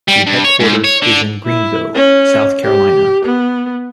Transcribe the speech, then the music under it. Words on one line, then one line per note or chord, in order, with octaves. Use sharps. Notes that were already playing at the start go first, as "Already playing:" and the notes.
The headquarters is in Greenville, South Carolina.
G3
G2
C#5
G#2
C#5
D3
E4
C#4
G4
B3